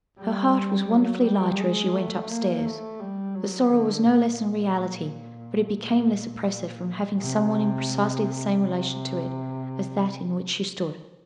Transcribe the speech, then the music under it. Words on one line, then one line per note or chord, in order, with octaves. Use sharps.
Her heart was wonderfully lighter as she went up-stairs; the sorrow was no less in reality, but it became less oppressive from having some one in precisely the same relation to it as that in which she stood.
G3
F#3
G3
G#3
A3
A#3
A3
G3
F#3
D3
A#2
A#2
C3
C3